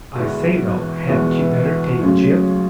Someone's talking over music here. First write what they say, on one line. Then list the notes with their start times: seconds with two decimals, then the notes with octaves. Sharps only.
"I say, though, hadn't you better take Gyp?"
0.15 E2 B2 D3 G#3 B3 E4
0.46 F#3
0.77 E3
1.08 E2 B2 G#3 B3 E4
2.01 D2 C#3 F#3 G#3 C#4